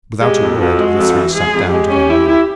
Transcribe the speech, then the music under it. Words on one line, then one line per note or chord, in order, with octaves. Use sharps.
Without a word the three sat down to their meal.
G#3 G4
F2
F2 F#4
G#3
F2
E3
G#3 G#4
F2
G#3 G4
C#4
E4
E4